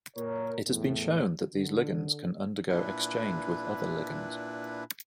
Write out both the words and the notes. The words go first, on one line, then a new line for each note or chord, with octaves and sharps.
It has been shown that these ligands can undergo exchange with other ligands.
A#2 A#4 C#5
E2 A2
D3
A#2 D4 E4 B4